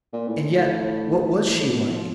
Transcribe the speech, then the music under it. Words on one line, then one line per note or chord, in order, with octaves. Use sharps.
And yet--what was she like?
A#2
A2
A2
A2
B2
F3